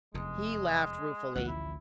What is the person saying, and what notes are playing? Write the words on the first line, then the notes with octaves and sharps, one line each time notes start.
He laughed ruefully.
F1 E2 G#3
A1 D2 F3 F#5
E4